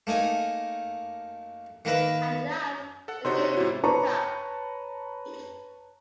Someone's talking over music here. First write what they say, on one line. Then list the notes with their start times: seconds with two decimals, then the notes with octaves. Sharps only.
At last they came to the top.
0.07 A3 A#3 D#4 G#5
1.85 D#3 A#3 A#4 B4 E5 B5
3.08 A4 F#5
3.25 C3 D#4 F#4 C5 C#5 C6
3.57 G#2 C3 E4 F#4
3.84 B4 C#5 A5 A#5 C#6